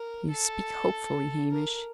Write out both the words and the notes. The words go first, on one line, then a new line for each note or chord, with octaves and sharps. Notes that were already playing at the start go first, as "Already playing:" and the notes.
"You speak hopefully, Hamish."
Already playing: A#4
A4
A#4